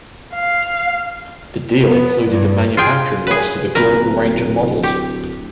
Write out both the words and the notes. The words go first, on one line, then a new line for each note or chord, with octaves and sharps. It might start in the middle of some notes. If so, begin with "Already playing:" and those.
The deal included the manufacturing rights to the Gordon range of models.
F5
B3
G2
F4 G#4 G5
G#4 B4
D1 A#4 B4
G4